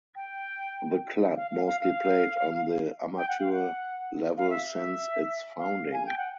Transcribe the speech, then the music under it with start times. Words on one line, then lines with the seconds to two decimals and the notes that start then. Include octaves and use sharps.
The club mostly played on the amateur level since its founding.
0.15 G5
1.36 F5
1.51 F5
1.66 F5
1.81 F5
3.17 G5
3.28 F#5
3.40 F5
3.52 F#5
4.37 F5
4.50 E5
4.75 E5
5.58 F5
5.93 G#5
6.05 G5
6.18 F#5